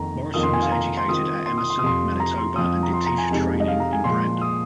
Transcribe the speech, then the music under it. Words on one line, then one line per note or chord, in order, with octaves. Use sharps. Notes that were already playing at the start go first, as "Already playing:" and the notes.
Morrison was educated at Emerson, Manitoba, and did teacher training in Brandon.
Already playing: F2 D#3 A#3 D#4 A#5
F2 D#3 A#3 F4 D#6
C6
G#5
F5
A#5
C6
D#3 C4 F4 D#6
C6
D#6
C6
D#6
F2 C3 F3 C6
A#5
C6
F2 F3 C4 F4 D#6
A#5
C6
A#5
G#5
F2 C3 G#3 D#4
D#5
F5
A#5
G#5
A#2 F3 G#3 C6
D#6